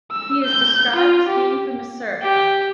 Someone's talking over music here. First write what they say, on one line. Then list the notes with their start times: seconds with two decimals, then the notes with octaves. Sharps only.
He is described as being from Masrekah.
0.11 E6
0.44 G6
0.96 F4
1.29 G4
2.21 G4